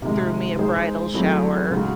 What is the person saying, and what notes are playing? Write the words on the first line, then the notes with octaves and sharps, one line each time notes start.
threw me a bridal shower,
C3 D#3 G#3
G#3 D#4 G#4 C5
F#3 A3 C4 E4 G#4
C#3 G#3 D#4 F#4